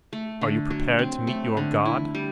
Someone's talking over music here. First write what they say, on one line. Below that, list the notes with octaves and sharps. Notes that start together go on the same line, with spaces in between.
"Are you prepared to meet your God?"
A3
D3
F#3
C4
A3
D3
E4
G3